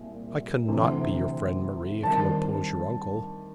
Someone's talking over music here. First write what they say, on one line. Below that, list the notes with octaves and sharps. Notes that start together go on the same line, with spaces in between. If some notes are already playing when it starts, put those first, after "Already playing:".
'I cannot be your friend, Marie, if you oppose your uncle.
Already playing: C2 A#2
D2 C3 E3
D#3 G3 C4 A5